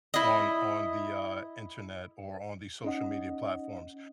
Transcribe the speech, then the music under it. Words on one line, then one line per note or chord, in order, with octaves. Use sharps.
on on the, uh, internet or on the social media platforms.
E4 D#5
C#4 D#4 D#5 F#5